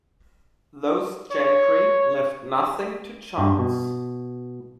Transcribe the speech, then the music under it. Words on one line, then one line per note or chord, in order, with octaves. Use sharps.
Those gentry left nothing to chance.
C#5
G2
B2